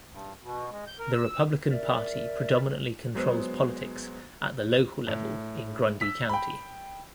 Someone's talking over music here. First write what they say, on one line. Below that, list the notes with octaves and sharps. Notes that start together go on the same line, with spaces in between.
The Republican Party predominantly controls politics at the local level in Grundy County.
G2
B2
G#3
G6
A#4
E6
A#4 D5 E5
F#3 G#3 B3 G#4 C5
A2
E6 B6
G5 B5